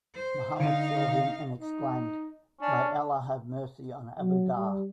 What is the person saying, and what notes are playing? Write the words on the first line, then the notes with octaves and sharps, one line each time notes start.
Muhammad saw him and exclaimed, May Allah have Mercy on Abu Dhar!.
C5
D3 D#4 F5
D#4
C#4 D4
F#3
G3